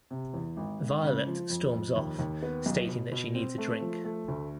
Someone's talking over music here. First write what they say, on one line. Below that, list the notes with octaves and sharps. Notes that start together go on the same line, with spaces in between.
Violet storms off, stating that she needs a drink.
C3
E2
G#1
G#1
C#3
F3
F2
F2
D#2
D#2
B3
B1
B2
B2
C4
A3
F3
A3
D2